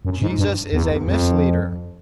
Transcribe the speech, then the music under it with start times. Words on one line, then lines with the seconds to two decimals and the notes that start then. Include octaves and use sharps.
Jesus is a misleader.
0.05 F#2
0.22 G#2
0.39 G2
0.73 E2
0.92 E2
1.08 F2